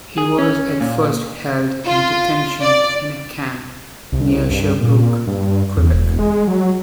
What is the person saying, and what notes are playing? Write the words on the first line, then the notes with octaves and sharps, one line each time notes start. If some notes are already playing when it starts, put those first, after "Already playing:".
He was at first held in detention in a camp near Sherbrooke, Quebec.
G#4
C#4
A#2
F4
D5
C2
G2
A#2
G2
E2
E1
G#3
F#3